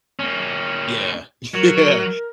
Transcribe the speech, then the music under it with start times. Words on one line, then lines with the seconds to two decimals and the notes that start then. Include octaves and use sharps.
Yeah. Yeah.
0.19 A#3 C#4
1.54 F#3 A#4